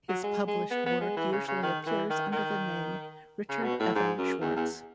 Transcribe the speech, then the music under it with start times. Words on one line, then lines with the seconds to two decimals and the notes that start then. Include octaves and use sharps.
His published work usually appears under the name "Richard Evan Schwartz".
0.09 F#3
0.24 G#3
0.47 G#3
0.70 B3
0.86 B3
1.01 G#3
1.17 E3
1.32 C#3
1.48 C#3
1.63 D#3
1.87 E3
2.10 D#3
2.32 D#3
3.49 C#3
3.63 B2
3.80 A2
3.95 G#2
4.18 F#2
4.41 E2
4.56 E2